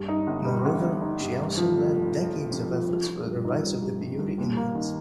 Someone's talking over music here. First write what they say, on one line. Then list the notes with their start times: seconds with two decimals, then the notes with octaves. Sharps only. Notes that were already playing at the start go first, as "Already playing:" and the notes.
Moreover, she also led decades of efforts for the rights of the Paiute Indians.
Already playing: G2
0.09 D#4
0.27 G1
0.45 G3
0.65 G1
0.83 G1
1.02 D#4
1.20 G2
1.39 F1
1.57 F3
1.77 F1
1.95 F1
2.13 F1
2.33 F1
2.51 F2
2.69 F3
2.89 F3
3.07 F3
3.26 G2
3.45 D#4
3.63 G2
3.82 G2
4.01 G2
4.19 G2
4.38 D#2
4.57 A#3
4.75 D#3